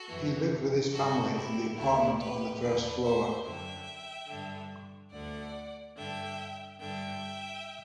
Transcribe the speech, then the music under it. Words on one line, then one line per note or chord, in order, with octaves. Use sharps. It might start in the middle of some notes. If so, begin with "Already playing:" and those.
He lived with his family in the apartment on the first floor.
Already playing: F#4 A4
F#2 E3
G2 D3 F#4 A4
E4 G4
D2 D3 E4 G4
G4 B4
E2 D3 B4 D5
C5 E5
F#2 D3 E5 G5
G2 D3
D2 D3 D5 F#5
G2 D3 E5 G5
G2 D3 E5 G5